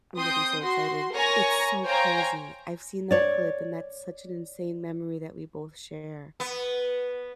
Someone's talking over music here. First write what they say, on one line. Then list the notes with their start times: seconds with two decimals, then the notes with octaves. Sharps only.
I'm getting so excited. It's so crazy. I've seen that clip and that's such an insane memory that we both share.
0.17 C4 C6 D#6 G6
0.62 F#4 C6
1.14 A#4 C#5 G#5 A#5 C#6 A#6
1.86 C5 C#5 F5 G5 G#5 A#5
3.11 C#5 D5
6.40 B3